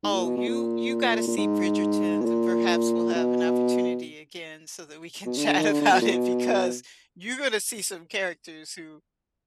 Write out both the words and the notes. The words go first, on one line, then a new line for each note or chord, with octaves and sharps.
Oh, you you gotta see Bridgertons, and perhaps we'll have an opportunity again so that we can chat about it, because you're gonna see some characters who
G#2
A#2
B2
B2
A#2
A#2
G#2
B2
A#2
B2
B2
D3
D3
D#3
D3
D3
B2
A#2
B2